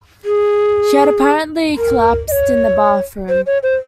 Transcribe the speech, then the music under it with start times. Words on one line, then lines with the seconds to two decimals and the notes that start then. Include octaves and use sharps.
She had apparently collapsed in a bathroom.
0.25 G#4
1.78 A#4
2.28 D#5
2.32 C#5
3.29 C5
3.46 C#5
3.63 C5